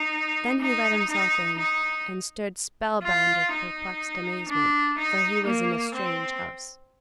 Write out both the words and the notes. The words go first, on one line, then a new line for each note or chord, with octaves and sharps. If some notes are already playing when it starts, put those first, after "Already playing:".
Then he let himself in, and stood spellbound with perplexed amazement,--for he was in a strange house.
Already playing: D#4
D#4
D#4
D#4
F4
D#4
D4
D#4
A#3
C4